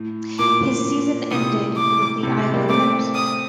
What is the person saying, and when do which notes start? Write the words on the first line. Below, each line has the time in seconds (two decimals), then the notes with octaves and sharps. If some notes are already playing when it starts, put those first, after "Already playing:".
His season ended with the Iowa Cubs.
Already playing: A2
0.39 A#2 D6
1.31 A2 C3 D#6
1.77 D6
2.23 A2 C3
2.39 A2 C3
2.54 G3 A#3
2.69 A3 C4 D6
3.15 D#6